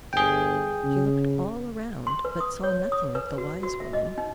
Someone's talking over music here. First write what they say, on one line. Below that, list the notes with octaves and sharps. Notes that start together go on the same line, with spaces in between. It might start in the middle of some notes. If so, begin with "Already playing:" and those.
She looked all around, but saw nothing of the wise woman.
G1 G#4 G5
C#3
C6
B4
D#6
C#5
D#6
B4
F#4
F#4
E5
D#5
D#4